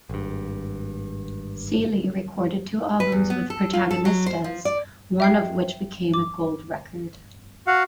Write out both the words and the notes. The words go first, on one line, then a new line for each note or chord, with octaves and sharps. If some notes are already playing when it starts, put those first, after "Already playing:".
Sealey recorded two albums with "Protagonistas", one of which became a Gold Record.
G#1 G2
B4
E2
B3
A4
F4
A4
F#3
C5
F3
D5
E5 G5 C7
D6
F#4 F5 F#5